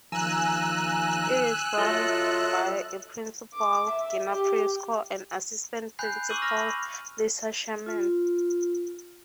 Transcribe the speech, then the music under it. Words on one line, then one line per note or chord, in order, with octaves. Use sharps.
It is run by a principal, Gina Prisco, and assistant principal Lisa Sherman.
D#2 F3 G#5 A#5 E6 F#6
F#3 F4 A4 D#5 E5
D6
E5
G4
G#5 B5 F#6 G6 C7
C#6 D6 E6 D#7 F#7
B5 F6 A#6
F4